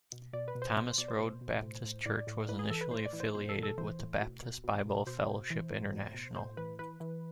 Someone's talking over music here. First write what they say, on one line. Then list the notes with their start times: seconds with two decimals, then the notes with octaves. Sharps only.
Thomas Road Baptist Church was initially affiliated with the Baptist Bible Fellowship International.
0.12 B2
0.33 B2 D5
0.48 B4
0.55 B2
0.62 C5
0.76 B2 C5
0.87 C5
0.98 B2 D5
1.08 C5
1.19 B2
1.41 B2
1.62 A2
1.84 A2
2.05 A2 D5
2.27 A2
2.49 A2 B4
2.59 G#4
2.70 E3 A4
2.81 B4
2.91 A2 C5
3.06 D5
3.13 E3
3.20 C5
3.35 B2 C5
3.49 A4
3.56 B2
3.63 A4
3.78 E3 C5
3.99 A2
4.21 B2
4.42 B2
4.64 B2
4.85 B2
5.07 B2 C5
5.28 B2
5.50 E3
5.71 A2
5.93 B2
6.14 B2
6.36 A2 C5
6.57 E3 B4
6.79 E3 B4
7.00 E3